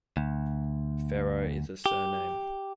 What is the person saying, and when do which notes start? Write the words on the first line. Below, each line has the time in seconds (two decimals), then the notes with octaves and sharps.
Farrow is a surname.
0.17 D2
1.86 G4